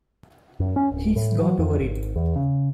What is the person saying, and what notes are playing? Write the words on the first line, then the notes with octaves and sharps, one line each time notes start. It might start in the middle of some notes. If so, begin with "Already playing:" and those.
He’s got over it.
F#2
C#4
D1
A2
F#3
F2
G#1
E2
C#3